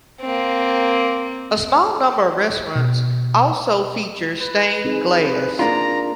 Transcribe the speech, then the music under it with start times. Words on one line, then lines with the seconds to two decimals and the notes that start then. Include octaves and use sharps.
A small number of restaurants also feature stained glass.
0.21 A#3 C4
2.76 B2
4.41 B4
4.85 C4 D#4 G#4
5.59 A#3 D4 F4 A#5